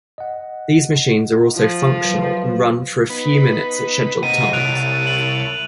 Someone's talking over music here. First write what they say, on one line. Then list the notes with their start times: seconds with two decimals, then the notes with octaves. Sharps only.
These machines are also functional and run for a few minutes at scheduled times.
0.18 D#5 F#5
1.56 F3 F4
2.05 F#3 B4 C5
3.10 B3 D#4 B4
4.23 C3 A#3 D#5 F#5 D#7
4.53 C2 E4 C#5 A5 F#6 D7 F7
5.07 F#7